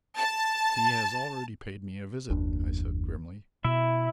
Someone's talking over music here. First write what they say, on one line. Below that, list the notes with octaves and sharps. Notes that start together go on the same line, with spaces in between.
"He has already paid me a visit," I said grimly.
A5
F#1 D#2 D4
B2 E4 E5